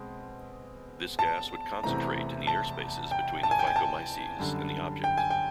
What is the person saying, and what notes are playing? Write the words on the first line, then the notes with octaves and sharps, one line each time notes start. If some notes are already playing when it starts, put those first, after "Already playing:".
This gas would concentrate in the airspace between the "Phycomyces" and the object.
Already playing: B2 G#3 C4
A5
E2 C3 E3 A3 C4 A#5
A5
G5
A5
G#5
G5
G#5
A5
F#2 D3 G3
G5
G#5
G5